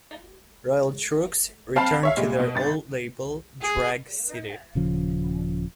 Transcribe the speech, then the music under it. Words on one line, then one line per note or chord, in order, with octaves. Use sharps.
Royal Trux returned to their old label Drag City.
C4 F5 G5 A5 B5
C#5 E5 F5
A#2 G3 G#3
B2
G1 A6
G#4
D#1 C#3 F3